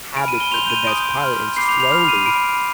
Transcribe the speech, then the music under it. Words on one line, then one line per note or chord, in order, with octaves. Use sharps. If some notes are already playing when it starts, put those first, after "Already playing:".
habits of the best pilot, and slowly
G#5 B5 F6 D7
D#7
G7
C6 G6 F7
D#7
G#5 C6 D#6 G6 D7
C6 F6
B5 D6 G6 C7
F7
F7
B5 F6 F7
D#7
B5 F6 D7